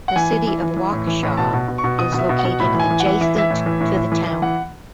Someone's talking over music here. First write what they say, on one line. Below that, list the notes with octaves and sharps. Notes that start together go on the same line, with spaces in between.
The City of Waukesha is located adjacent to the town.
F#5
E3 G#5
E3
E3
E3
E3
A2
E3
A2
B2 A5
B2
B2
C#6
B2
B2 D#6
B2 E5
B2
F#5
B2
A2 B5
E3
G#5
E3
F#5
E3
E3 E5
E3 E5
A2
E3
A2
A2
E3
E3
E3 F#5